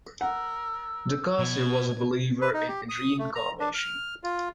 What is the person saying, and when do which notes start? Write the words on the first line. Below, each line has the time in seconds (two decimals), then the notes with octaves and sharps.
Ducasse was a believer in reincarnation.
0.21 A#4 F#5 E6
1.39 B2 G#6
2.41 B4
2.54 D#4
2.68 G4
2.89 D#6
3.19 A3
3.35 A#5
3.60 D4
3.74 F6
4.23 F4